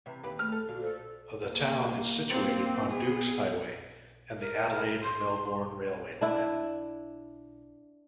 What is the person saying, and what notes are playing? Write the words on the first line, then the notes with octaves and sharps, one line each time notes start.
The town is situated on Dukes Highway and the Adelaide-Melbourne railway line.
C3 E3
D#2 G4 B4
A3 F6
A4
A#2 D3 F#4 F5
A4 C5
A#3
A#3 C4
B3 G#4
A#4
C6
D4 E4